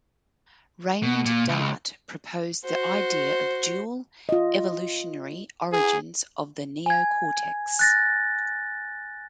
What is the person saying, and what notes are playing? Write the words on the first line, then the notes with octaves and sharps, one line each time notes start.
Raymond Dart proposed the idea of dual evolutionary origins of the neocortex.
B2
A#2
C#2
F#4 C5
F4 D#5
G#4
G#5 G#6
F#6 A6 A#6